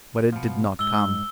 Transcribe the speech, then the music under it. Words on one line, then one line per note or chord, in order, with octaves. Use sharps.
But it did not come.
B2 F3
G#2 E6 G7